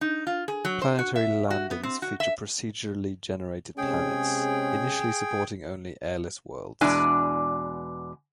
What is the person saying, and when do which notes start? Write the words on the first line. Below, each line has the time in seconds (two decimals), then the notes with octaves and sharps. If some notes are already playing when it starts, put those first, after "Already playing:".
Planetary landings feature procedurally generated planets, initially supporting only airless worlds.
0.01 D#4
0.27 F4
0.48 G#4
0.65 F#3
0.82 C5
0.99 F#4
1.16 E5
1.50 F#4
1.71 B3
1.83 C4
2.02 F#4
2.20 E5
3.78 C3 G#3 C#4 G#4 G5
6.81 E2 B2 G#3 D4 D5 G#5